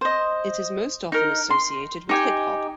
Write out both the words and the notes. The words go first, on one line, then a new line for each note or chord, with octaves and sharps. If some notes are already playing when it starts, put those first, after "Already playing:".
It is most often associated with hip hop.
C5 D#5
D#4 A#4
C6
D#4 G4 G#5